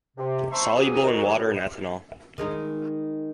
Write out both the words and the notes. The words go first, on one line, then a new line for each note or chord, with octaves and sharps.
Soluble in water and ethanol.
C3
C5 E5 A5 A#5 C6 C#6
C2 E3 F#3 G#4 D#6
D#3 F#4
C3 D#3 E3 F#3
F#2 A2
D#3 G#3 D#4